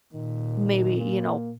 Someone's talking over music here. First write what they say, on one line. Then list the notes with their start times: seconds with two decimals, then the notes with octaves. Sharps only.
maybe, you know,
0.14 A#2 D#3
0.98 A#3